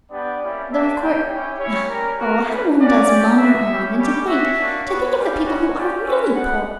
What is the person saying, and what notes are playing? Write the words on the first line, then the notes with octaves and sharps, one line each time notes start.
Though of course--Oh, how one does maunder on, and to think, to think of the people who are really poor.
G3 B3 D4 G4 D5
G3 A#3 C#4 E4 G4
A#3 D4 G4 E5
A#3 C#4 G4 G5
C#4 E4 G4 G5
C#4 E4 G4 C#5
G3 C#4 G4 A#4
B3 F#4 A#4
G3 C#4 E4 B4
C#4 F#4 D5
C#4 G4
B3 F#4 E5
C#4 E4 G4
G3 C#4 G4
C#4 F#4 E5
A#3 D4 F#4
B3 F#4 C#5
G3 C#4 G4 D5
C#4 F#4
C#4 G4 D5
C#4 F#4 E5
G3 B3 F#4 F#5